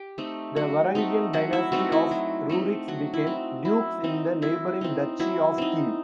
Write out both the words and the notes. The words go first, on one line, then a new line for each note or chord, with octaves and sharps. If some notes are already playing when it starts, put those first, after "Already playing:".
The Varangian dynasty of Ruriks became dukes in the neighboring Duchy of Kiev.
Already playing: G4 G5
A3 C4 D#4
F#3 F#4 F#5
A3 C4 D#4
F#3 F#4 F#5
E4 E5
A3 C4 D#4 F#4
E4
F#3
A3 C4 D#4
F#3 F#4
E4
C4 D#4
F#3 E4
C4 D#4
F#3 E4
C4 D#4
F#3 E4
C4 D#4